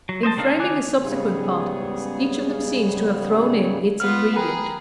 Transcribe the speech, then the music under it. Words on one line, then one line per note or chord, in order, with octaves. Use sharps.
In framing the subsequent articles, each of them seems to have thrown in its ingredient.
F#3
C5 D#5 E5 A5
C#3 C4 D4 D#4 F5
D#3 C#5 G#5 D6 F#6
G#2 C#3 G3 B3 G#4
B3 F4 F6
G4 G#4 A#4 B4